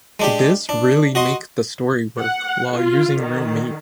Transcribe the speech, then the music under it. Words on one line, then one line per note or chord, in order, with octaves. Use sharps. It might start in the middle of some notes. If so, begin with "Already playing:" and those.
This really make the story work while using real meat.
G#3 D4 G4
D4
F#4 D#5 C6
F#5
F4
D#3